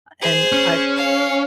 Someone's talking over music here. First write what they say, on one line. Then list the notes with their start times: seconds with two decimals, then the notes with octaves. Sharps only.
and I
0.21 G#4 C5
0.52 C#4
0.96 F5